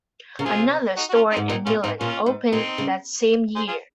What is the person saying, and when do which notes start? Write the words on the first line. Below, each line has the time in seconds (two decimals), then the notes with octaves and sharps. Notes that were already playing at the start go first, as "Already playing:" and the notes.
Another store in Milan opened that same year.
0.39 C#3 A#4
0.45 C3 F4 G#4
0.97 D#4 F#4
1.10 F#4
1.14 C#4 F4
1.31 C4 D#4
1.37 G#2
1.49 A#2 C4 D#4
1.66 A#2 C#4 F4
1.84 G#2 C4 D#4
2.00 A#2 C#4 F4
2.26 G#2
2.53 A#2 C4 D#4
2.78 C#3
3.56 G#4 C5
3.68 F4 G#4